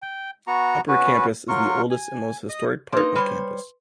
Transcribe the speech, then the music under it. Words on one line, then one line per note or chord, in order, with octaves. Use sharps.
Upper Campus is the oldest and most historic part of campus.
G5
B3 F#4 A#5 C#6
B3 C#4 F#4 B4
F#3 F4 A#4 C#6
G#5
D#5 D#6
A#3 D#4 B4 C6
G3 C5 C#5